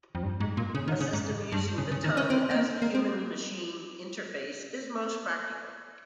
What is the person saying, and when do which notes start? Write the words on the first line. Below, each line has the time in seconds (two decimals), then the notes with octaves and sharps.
A system using the tongue as the human-machine interface is most practical.
0.15 F2
0.23 G2
0.40 G#2
0.57 A#2
0.75 C#3
0.88 D#3
1.00 C#3
1.13 G#2
1.52 G2
1.78 C#3
1.92 C#3
2.04 D#3
2.17 C#4
2.30 C4
2.51 C4
2.56 A#3
2.82 A#3
2.95 C4